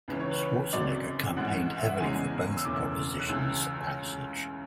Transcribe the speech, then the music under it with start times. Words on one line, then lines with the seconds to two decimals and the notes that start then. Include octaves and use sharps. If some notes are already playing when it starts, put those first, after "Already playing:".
Schwarzenegger campaigned heavily for both propositions' passage.
0.08 C#2 C#3 E3 B4
0.20 C#5
0.31 B4
0.73 G#1 F#2 C#3 F#3 D5
1.36 A1 G#2 E3 G#3 F#5
1.78 E5
1.89 F#5
2.00 F#1 E2 C#3 E3 G#3 G#5
2.57 E6
2.64 E1 D2 C#3 E3 D6
3.19 F#6
3.29 C#2 C#3 E3 E6